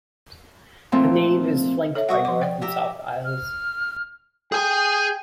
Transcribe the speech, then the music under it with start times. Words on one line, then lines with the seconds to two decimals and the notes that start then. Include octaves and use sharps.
The nave is flanked by north and south aisles.
0.92 A#2 F3 A3 C4
1.95 A4 C#5 E5
2.09 G3 F#4 F#5 C#6 D#6
2.25 F3 D6
2.41 D5 G5
2.62 G4 E5 A#5
3.25 F6
4.52 G#4 G5 G#5 G6